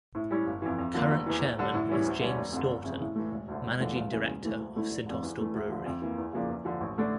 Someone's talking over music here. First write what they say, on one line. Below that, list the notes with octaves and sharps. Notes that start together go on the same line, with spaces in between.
Current chairman is James Staughton, Managing Director of Saint Austell Brewery.
A2
G3 C#4 E4
G1
F2 E3
F2
D3 F3 A#3
F1
E2 E3
D2
D3 G3
A2
E3 G3 C#4 E4
D2
D3 G3 C#4
F1
F2 D3
G1
F2 C#3
A2
E3 A3
E1
D2 D3
E1
E2 D3 F3 A3
C#2
C#3 E3 A#3 C#4
E1
E2 E3 A3
D2
D3 A3 E4
F1
F2 D3
E2
E3 A3
D2
D3 F3
F2
E3 A#3
E2
C#3 F3 A#3 D4
E2
D3 F3
A1
D3 A3 D4